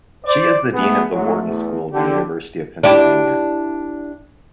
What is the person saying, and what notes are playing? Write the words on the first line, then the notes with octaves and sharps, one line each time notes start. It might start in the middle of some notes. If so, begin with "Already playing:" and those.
She is the dean of the Wharton School of the University of Pennsylvania.
C5 D5
A3 B3 G#4
G#2 F#3 A3
E2
D3 G4
D4 E4 G4